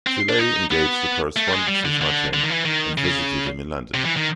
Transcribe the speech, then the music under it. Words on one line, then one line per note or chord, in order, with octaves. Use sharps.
Toulet engaged a correspondence with Machen and visited him in London.
C4
D4
D#4
B3
A3
G3
G#3
G3
D3
D3
D3
D#3
E3
D#3
C#3
C3
E3
D#3